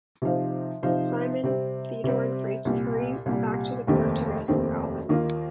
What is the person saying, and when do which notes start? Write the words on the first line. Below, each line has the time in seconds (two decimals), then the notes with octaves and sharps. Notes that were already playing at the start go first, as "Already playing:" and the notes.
Simon, Theodore, and Frankie hurry back to the park to rescue Alvin.
0.22 C3 F3 D#4 C5 F5
0.83 C3 F3 D#4 C5 F5
1.44 C3 G3 C4
2.04 C3 G3 C4
2.65 C2 A#2 G3
3.26 C2 A#2 G3
3.87 F1 D#2 D#3 C4 G4
4.48 F1 D#2 D#3 C4 G4
5.09 D#2 D#3 A#3 F4